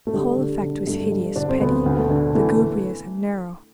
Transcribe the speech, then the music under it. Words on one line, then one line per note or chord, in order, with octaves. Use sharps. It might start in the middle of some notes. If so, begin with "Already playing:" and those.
The whole effect was hideous, petty, lugubrious, and narrow.
A3
D3 G3
D3
D3
G2 A3
G2
D3 D4
C4
D2 B3
D2
A3
D3
E3 A3